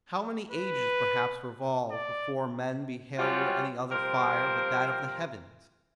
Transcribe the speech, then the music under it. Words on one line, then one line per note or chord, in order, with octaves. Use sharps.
How many ages perhaps revolved, before men beheld any other fire but that of the heavens?
B4
D5
F#3 G3 C4 C#4 F4 F#4
F3 G3 C4 A#4 C5